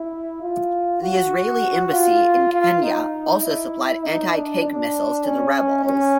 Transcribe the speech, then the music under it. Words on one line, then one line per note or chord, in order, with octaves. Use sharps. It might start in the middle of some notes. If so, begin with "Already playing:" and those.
The Israeli embassy in Kenya also supplied anti-tank missiles to the rebels.
Already playing: E4
F4
F#4
F4
F4
D#4
E4
D#4
D4
D4
C#4
C#4